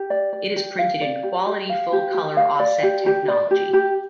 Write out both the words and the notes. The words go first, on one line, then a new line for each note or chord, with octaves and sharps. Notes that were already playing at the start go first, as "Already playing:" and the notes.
It is printed in quality full colour offset technology.
Already playing: G4
D5
D5
G4
F5
D5
G4
G4
F5
G4
G4
F5
D5
G4
G4
D5
G4
G4